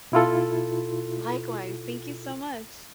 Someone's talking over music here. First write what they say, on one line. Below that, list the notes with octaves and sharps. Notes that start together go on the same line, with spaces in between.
Likewise. Thank you so much.
B2 E4 F4 A4